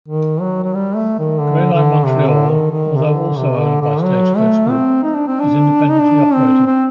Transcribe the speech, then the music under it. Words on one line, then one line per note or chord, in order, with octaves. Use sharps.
Gray Line Montreal, although also owned by Stagecoach Group, is independently operated.
D#3
F#3
F#3
G3
A3
D#3
D3
D3
C3
D3
D#3
D#3
C3
D3
C3
D3
D3
F#3
A3
C4
D#4
D4
C4
D4
D#4
D4
C4
C4